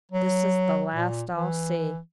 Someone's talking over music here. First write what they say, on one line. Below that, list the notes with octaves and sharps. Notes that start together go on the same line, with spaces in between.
This is the last I'll see.
F#3
A#2
E3